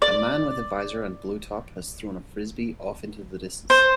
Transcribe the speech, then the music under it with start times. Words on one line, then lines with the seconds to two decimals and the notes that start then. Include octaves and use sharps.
A man with a visor and blue top has thrown a Frisbee off into the distance.
0.02 D5
3.70 C5